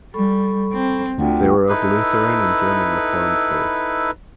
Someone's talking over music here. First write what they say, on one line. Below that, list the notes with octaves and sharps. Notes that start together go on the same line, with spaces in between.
They were of Lutheran and German reformed faith.
G3 A4 B5 C#6
C4
D2 F4 F#5 G5
D#4 E4 A4 B4